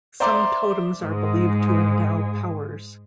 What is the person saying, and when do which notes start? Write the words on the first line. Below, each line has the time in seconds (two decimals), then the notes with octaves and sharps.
Some totems are believed to endow powers.
0.20 C5 D5 E5 A#5 C6 D6
1.02 G#2 G#3